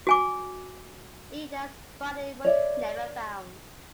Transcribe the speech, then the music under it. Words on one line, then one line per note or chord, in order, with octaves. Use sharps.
Ida's body was never found.
F#4 G#5 D6
C#5 D5 E5